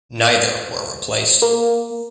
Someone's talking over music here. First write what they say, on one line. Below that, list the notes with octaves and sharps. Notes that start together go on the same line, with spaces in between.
Neither were replaced.
A#3